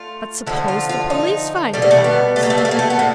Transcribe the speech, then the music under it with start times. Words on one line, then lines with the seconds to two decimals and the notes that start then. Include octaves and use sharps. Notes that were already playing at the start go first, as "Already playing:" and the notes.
"But suppose the police find it?" I asked.
Already playing: A3 F4
0.47 D3 F3 A3 E4
0.68 F4
0.89 F4
1.10 D#4
1.73 B2 G3 A3
1.82 A#3
1.91 A3
2.04 B3
2.36 A3
2.43 A#3
2.50 A3
2.58 A#3
2.65 A3
2.71 A#3
2.79 A3
2.90 B3
2.99 A2 A#3